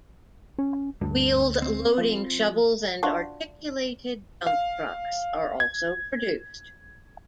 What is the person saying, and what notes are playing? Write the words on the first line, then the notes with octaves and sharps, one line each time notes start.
Wheeled loading shovels and articulated dump trucks are also produced.
C#4
D2 G2
C4
F3
D4 F4 F#4
F5
G#6